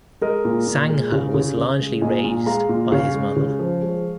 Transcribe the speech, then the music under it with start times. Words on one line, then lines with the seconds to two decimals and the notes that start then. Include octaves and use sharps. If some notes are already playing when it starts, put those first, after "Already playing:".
Sangha was largely raised by his mother.
0.21 G#3 A#4 D#5
0.45 A#2
0.67 A#2
0.89 G#3
1.12 C#3
1.34 C#3
1.57 C#3
1.79 G#3
2.02 A#2 D#5 G#5
2.24 A#2
2.46 G#3 F5 A#5
2.69 A#2
2.91 C#3 C#5 F5
3.14 G#3
3.36 C#3
3.59 F3
3.82 G#3